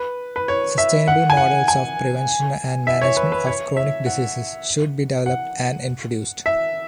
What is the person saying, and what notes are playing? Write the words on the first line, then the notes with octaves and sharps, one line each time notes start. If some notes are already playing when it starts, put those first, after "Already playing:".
Sustainable models of prevention and management of chronic diseases should be developed and introduced.
Already playing: B4
B4
C#5
E5
F#5
G#5
F#5
G#5
E5
C#5
B4
B4
C#5
E5
F#5
F#5
E5